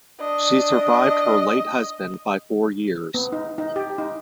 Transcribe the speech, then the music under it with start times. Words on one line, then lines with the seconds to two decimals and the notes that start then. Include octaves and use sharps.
She survived her late husband by four years.
0.20 D4 D#5
3.14 B3
3.32 D#4
3.58 D#4
3.76 G4
3.98 D#4